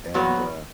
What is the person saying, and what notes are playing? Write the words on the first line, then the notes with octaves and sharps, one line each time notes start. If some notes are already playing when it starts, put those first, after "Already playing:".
and, uh
A#2 F#3 B3 F#4 C#5